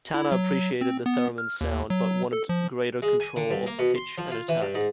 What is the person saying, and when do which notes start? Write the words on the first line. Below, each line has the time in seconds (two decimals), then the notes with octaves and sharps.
Tanner appreciated the theremin's sound, but wanted greater control of pitch and attack.
0.14 E4
0.32 F#3
0.81 C4
1.06 B3
1.38 F6
1.61 D#2
1.90 F#3
2.33 A4
2.49 F3
3.02 G#3
3.20 G#5
3.36 D3
3.51 G2
3.66 A#3
3.79 B2
3.95 C6
4.18 F3
4.31 F4
4.49 E3
4.62 G2
4.75 G#2